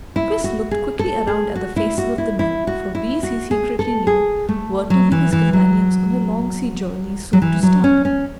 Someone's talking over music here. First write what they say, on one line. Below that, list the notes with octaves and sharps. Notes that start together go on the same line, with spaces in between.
Chris looked quickly around at the faces of the men, for these, he secretly knew, were to be his companions on a long sea journey soon to start.
E4
F#4
G#4
A4
G#4
F#4
E4
F#4
E4
E4
F#4
E4
F#4
G#4
A4
G#4
A3
F#3
E3
E3
F#3
F#3
E3
F#3
C#4
C#4